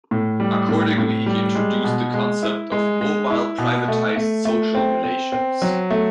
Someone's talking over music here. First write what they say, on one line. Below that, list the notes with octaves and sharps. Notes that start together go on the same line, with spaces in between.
Accordingly, he introduced the concept of "mobile privatised social relations".
A2
G3
A2
A2
G3
G#3
B2
G#3
E4
G#3
G#3
E4
B2
A3
A3
A3
C4
C4
C4
F#3
A3